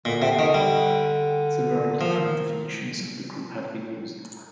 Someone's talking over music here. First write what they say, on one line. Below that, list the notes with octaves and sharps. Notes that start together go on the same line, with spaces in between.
Several different definitions of the group have been used.
A#2 D3
C3
D#3
G3
D#3 F3